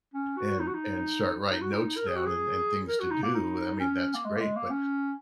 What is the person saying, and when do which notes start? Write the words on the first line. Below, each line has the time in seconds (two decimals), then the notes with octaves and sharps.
and and start writing notes down and and things to do. I mean, that's great, but
0.14 C#4
0.37 F#4
0.60 D#4
0.67 F#4
0.74 D#4
1.52 D#4
1.61 F#4
1.73 D#4
1.97 A#4
2.07 G#4
2.16 F#4
2.26 G#4
2.88 A#4
3.00 F#4
3.11 D#4
3.23 A#3
3.34 D#4
3.80 C#4
4.14 A#3
4.25 G#3
4.36 A#3
4.40 G#3
4.56 A#3
4.70 C#4